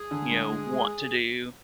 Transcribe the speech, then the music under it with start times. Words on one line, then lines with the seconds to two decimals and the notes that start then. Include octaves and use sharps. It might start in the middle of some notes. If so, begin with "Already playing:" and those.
you know, want to do.
Already playing: G#4
0.11 D3
0.31 G#3
0.51 G#3
0.72 G#3